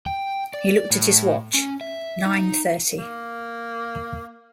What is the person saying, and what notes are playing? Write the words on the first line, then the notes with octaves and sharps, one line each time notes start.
He looked at his watch; nine-thirty.
G5
D5
A2
C#4
E5
D#4
A#3